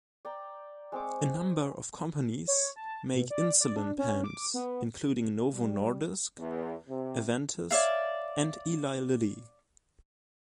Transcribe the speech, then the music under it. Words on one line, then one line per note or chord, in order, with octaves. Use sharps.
A number of companies make insulin pens including Novo Nordisk, Aventis and Eli Lilly.
D5 G5 A#5
G#3 C4 C#6 D6
C#5
A5
B2
D5
D5
D4
C#4
D6
B3
G3
E2
C3
C#5 D5 E5 F5